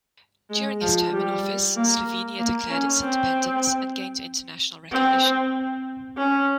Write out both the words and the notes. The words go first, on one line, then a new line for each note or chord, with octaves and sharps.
During his term in office, Slovenia declared its independence and gained international recognition.
G#3
F3
G3
A#3
A#3
C#4
C4
C4
C#4